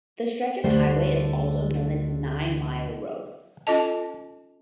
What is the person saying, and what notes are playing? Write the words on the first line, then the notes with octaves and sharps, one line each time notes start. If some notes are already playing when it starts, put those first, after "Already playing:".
This stretch of highway is also known as Nine Mile Road.
D2 D3 G3 A3 C5
C#4 F4 A4 D#5 A5